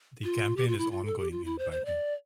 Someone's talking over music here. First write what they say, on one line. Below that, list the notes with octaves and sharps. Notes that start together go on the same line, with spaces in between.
The campaign is ongoing in Brighton.
F4
G4
F4
E4
F4
A4
G4
F4
E4
C5
C5
D5